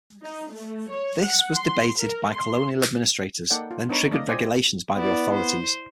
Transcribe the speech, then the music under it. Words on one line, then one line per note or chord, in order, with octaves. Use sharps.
This was debated by colonial administrators, then triggered regulations by the authorities.
D#4
A3
C#5
F#5
C6
A#4
C6
A#3 D#4 A4 D5 F#5 G5
F4
B3 D4 D#4 C#5 A#5 B5
A3 D5 D#5 F5
F4 C5 D5 D#5 G5 G#5
B3 E4 D5
C5